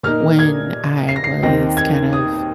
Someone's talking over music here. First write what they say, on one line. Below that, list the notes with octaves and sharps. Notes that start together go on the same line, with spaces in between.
when I was kind of
A#2 A#3 D#4 F6
G#6
C7
A#6
C7
D#2 D#3 C4 A#6
G#6
D#6